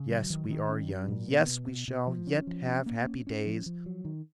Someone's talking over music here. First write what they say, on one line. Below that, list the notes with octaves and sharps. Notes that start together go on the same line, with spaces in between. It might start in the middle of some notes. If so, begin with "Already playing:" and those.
Yes, we are young; yes, we shall yet have happy days!
Already playing: C#3
F#3
D#3
D#3
C#4
F#3
A#2
B3
B2
B2
B2
F3
C#4
F3
C#4
A#3
C#4
C#4
F3
F3
F#3
D#3